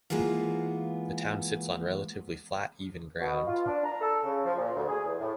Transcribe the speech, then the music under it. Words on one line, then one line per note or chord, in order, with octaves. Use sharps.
The town sits on relatively flat, even ground.
E3 G#3 A#3 B3 F4
B2
F4
D4
A#5
A4
C#3
F3
A#2
D2
G#4
E2
A2